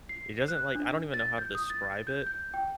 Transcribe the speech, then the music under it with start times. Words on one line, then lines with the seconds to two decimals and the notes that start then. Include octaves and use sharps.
it doesn't like, I don't even know how to describe it,
0.09 C7
0.48 F#6
0.75 D4
1.14 A6
1.38 G6
1.55 D#6
1.70 A6
2.07 G6
2.27 G6
2.54 G5